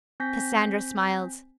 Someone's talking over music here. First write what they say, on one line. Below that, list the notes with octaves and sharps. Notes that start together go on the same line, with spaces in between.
Cassandra smiled.
C4 G#5 G6 A#6 B6